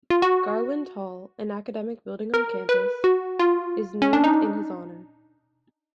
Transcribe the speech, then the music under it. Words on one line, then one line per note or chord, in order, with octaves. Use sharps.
Garland Hall, an academic building on campus, is named in his honor.
F4
F#4
A#4
B4
F#4
F4
C#4
D4
D#4